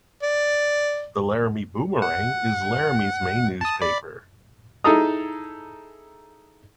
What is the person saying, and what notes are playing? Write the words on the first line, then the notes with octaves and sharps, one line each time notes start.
The "Laramie Boomerang" is Laramie's main newspaper.
D5
F#5
A5 D#6
D5 B5
D#4 E4 G#4 A4 A#5 D#6